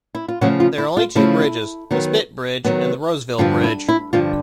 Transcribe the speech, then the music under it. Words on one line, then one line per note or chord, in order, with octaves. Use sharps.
There are only two bridges - the Spit Bridge and the Roseville Bridge.
E4
F4
C#3 F3 F#3 A3 F#4
F4
E4
F4
C#3 F3 A3 E4
D#3 F#3 B3
D#3 F#3 B3
G2 D3 F3 F4
E4
E4
G2 D3 F3 F4